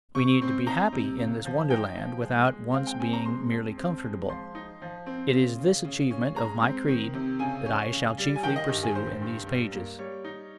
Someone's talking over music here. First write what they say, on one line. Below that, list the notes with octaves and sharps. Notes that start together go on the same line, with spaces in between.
We need to be happy in this wonderland without once being merely comfortable. It is THIS achievement of my creed that I shall chiefly pursue in these pages.
C3 C#6
C4
D#4 A#5
C3
C#3
F3
D#4 G5
F3
G#3
G#3
C4 F5
G5
C4 G#5
A#5
G#3 C6
F2
C4
G#3
F3 C6
D#4
F3
C4
C#3
C#3
C#3
C#4
G#3 A#5
C4
D#3
C3
C#3 G#5
C#4
C#3
G3
G#5
D#3 G5
D#5
G2 G4
G#4
D#3 C5
G2
G3
A#3
G3 C#5
D#4